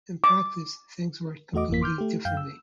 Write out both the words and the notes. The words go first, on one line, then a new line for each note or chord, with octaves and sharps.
In practice, things worked completely differently.
D6
E2 A3 F#4 D#5 D6
G#1 F2 A#3 B6
C6 D6 F6 G6
A3 G4
F#2 F5 G5 G6
E6